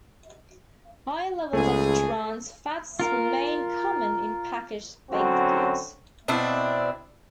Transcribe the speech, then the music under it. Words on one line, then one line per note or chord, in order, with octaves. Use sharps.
High levels of trans fats remain common in packaged baked goods.
C#2 A3 G#4
F4 A#4
D3 F#3 C4 C#4 F#4
B2 C4 D4 E4